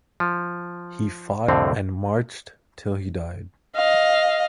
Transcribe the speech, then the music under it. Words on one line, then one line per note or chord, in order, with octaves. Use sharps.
He fought and marched till he died.
F3
C2 F2 A2 D3 C4
D#5 F5